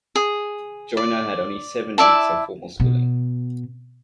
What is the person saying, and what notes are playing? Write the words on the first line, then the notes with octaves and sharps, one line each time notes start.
Joiner had only seven weeks of formal schooling.
G#4
D5
E4 D5 E5 A5
B2